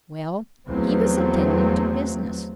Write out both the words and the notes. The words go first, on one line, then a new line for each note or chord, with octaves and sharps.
Well, he was attending to business.
E2 F3 F#3 A3 C4